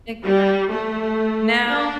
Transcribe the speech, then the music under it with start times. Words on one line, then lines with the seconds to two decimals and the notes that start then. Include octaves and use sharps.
Exactly. Now,
0.23 G3
0.71 A3
1.67 D4